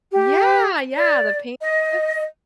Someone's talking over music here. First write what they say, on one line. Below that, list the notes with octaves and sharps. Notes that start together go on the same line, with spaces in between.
Yeah, yeah, the paint tips.
G4
D5
D#5